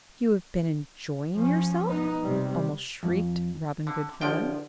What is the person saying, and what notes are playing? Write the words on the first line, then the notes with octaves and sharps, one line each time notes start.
"You have been enjoying yourself?" almost shrieked Robin Goodfellow.
F3 C#4
B3 D#4
C3 G3
F2
D3
A1 D3 F3 G5